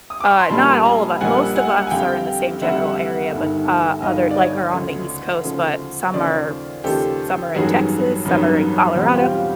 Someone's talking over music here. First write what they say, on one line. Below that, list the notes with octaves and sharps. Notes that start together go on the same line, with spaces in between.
Uh, not all of u most of us are in the same general area but, uh, other like, are on the East Coast, but some are s some are in Texas, some are in Colorado
D#6
D6
C#6
C6
A#1 A#2 G3 A#3 D4 A5 B5
G#5 A#5
A#1 A#2 G3 A#3 D4 F#5 G#5
F#5 G#5
G#5
F2 D3 G3 F5 G5
F2 D3 G3 E5 F#5
G1 G2 D#3
G1 G2 D#3 D#5 F5
D5
C#5 D#5
D2 C#3 F3
D2 C#3 F3
D#2 C#3 F3 C5 D5
D#2 C#3 F3 G4 A4
A1 G2 D#3 F#3 B3 F#4 G#4
A1 G2 D#3 F#3 B3
E2 B2 G3 C4
F4 G4
F4